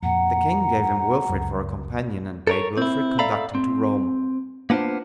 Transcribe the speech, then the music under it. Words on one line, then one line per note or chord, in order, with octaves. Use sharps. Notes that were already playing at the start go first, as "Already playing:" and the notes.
The king gave him Wilfrid for a companion, and bade Wilfrid conduct him to Rome.
F2 A#2 F#5 A#5
C#2 F#2
A4 A#4 C#5
C4 E4
A4 D5 E5 F5 A#5 B5
C4
A#3 B3 D4 F4 C5